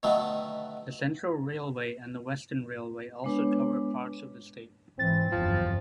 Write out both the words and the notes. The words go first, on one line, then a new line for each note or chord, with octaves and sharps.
The Central Railway and the Western Railway also cover parts of the state.
B2 D3 D#3 F#3 A3 B3
G#3 B3 D4 B4 C#5
G#1 E3 C4 A6
F#1 E2 G2 F3